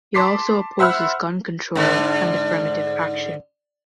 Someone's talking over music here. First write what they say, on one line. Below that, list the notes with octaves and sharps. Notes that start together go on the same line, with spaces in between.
He also opposes gun control and affirmative action.
A5 C6 D6 B6 C7
C5 E5 F#5 B5 E6 F6
G#2 D3